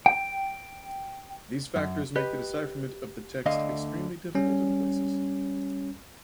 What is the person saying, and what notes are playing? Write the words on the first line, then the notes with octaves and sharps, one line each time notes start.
These factors make the decipherment of the text extremely difficult in places.
G5
F#2
G4 B4 D#5
D2 D3 D#5 F5
G3 C#4